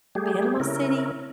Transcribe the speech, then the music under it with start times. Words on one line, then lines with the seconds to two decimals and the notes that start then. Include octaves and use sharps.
Panama City,
0.15 G3 A3 G4 G#4
0.60 C#3 C#4 E4 A#4